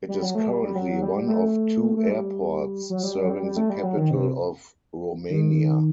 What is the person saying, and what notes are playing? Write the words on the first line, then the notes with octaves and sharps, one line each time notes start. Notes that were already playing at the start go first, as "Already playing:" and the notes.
It is currently one of two airports serving the capital of Romania.
G3
F#3
A3
G3
G3
F#3
F#3
G3
G3
A3
A3
G3
F#3
G3
G3
F#3
G3
G3
A3
G3
F#3
D#3
C3
D#3